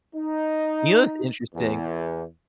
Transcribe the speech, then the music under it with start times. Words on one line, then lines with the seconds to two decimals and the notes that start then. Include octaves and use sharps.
You know what's interesting?
0.15 D#4
1.55 E2